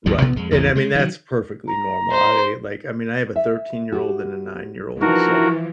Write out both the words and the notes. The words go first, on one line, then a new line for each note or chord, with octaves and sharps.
Right, and, I mean, that's perfectly normal. I, like, I mean, I have a thirteen-year-old and a nine-year-old, so
A1 D#2 A2 F#3
A1 G2 B2 B3
F2 G#3
A1 E2 C3 D#3
C#3 G#3
D#3 F#3
A#5
C5
E5
F#4 G4
E3 F3 D4 D#4 F#4 A#4